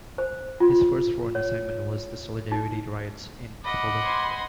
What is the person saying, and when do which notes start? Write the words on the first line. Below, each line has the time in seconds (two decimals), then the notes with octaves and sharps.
His first foreign assignment was the Solidarity riots in Poland.
0.18 C5
0.60 F4
1.35 C#5
2.52 D#4
3.65 D#5 F#5 B5 D6
4.02 C5 G#5 C6